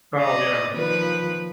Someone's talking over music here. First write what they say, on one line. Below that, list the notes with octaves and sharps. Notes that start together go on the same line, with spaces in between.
Oh, yeah.
D5 D#5
D#3 F3 B4